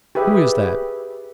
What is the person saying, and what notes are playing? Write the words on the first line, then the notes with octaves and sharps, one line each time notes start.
Who is that?'
G4 G#4 B4 E5